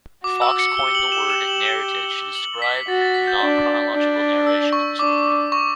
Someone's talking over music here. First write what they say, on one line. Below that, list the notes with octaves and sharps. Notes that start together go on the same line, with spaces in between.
Fox coined the word "narratage" to describe the non-chronological narration of the story.
F#4 D6
E6
C#7
G4 G7
F#7
E7
E7
F#7
G7
F#7
B6
B6
F#4 A6
A6
B6
G6
D4
D4
E6
C#6
D4 D6
C#6